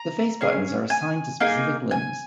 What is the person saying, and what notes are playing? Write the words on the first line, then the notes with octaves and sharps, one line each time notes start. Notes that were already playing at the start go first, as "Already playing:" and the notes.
The face buttons are assigned to specific limbs.
Already playing: A#5
C#4 G#4
G#5
A#3 D#4 G#4
G#5